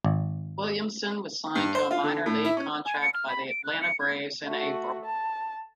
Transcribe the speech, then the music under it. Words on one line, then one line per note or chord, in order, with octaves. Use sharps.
Williamson was signed to a minor league contract by the Atlanta Braves in April.
G#1
G2
C5
F4
D3
A2
E4
C#4
G#5
C#7
F6
B5
D7
F#6
C#7
G#6
A3 F#4
A5